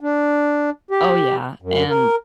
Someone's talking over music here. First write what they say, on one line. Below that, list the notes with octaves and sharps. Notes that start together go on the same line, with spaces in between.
Oh, yeah, and
D4
G4
F#2
A#4